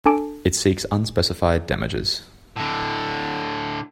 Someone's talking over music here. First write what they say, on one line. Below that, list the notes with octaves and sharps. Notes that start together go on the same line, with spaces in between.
It seeks unspecified damages.
D4 A4 G#5 A5 D6 D7
A2 D3